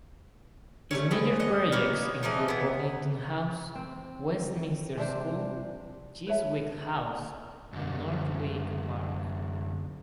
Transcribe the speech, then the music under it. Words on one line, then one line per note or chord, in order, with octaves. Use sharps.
His major projects include Burlington House, Westminster School, Chiswick House and Northwick Park.
G3 A3 C#4
D3 C4 G#4 B4
D#5 F#5
A#3 B3 C#4
E3 F3 D#4 G#4
E3 B3
C4
C3 D4 C5
B4 C#5 E5 A5
F#2 D3